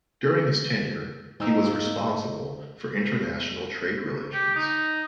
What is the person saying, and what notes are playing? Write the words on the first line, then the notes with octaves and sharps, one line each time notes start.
During his tenure, he was responsible for international trade relations.
G#2 A#3 D#4 E6
G4
D#4